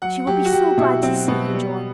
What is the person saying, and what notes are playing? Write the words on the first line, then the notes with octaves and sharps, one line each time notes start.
She will be so glad to see you, John!
F#3 F#5
F#3 G4
F#4
F#3 G4
B2 E4
F#3 C4
B2 B3
G3